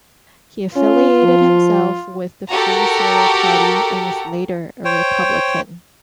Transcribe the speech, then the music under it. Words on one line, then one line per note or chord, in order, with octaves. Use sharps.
He affiliated himself with the Free Soil Party and was later a Republican.
C#4 F4
F3
F#4 G4 A4 A#4 A#5
C5 C#5 G5